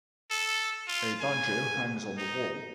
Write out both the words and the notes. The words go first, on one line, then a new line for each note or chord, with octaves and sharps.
A banjo hangs on the wall.
A4
F4
G#5
D#4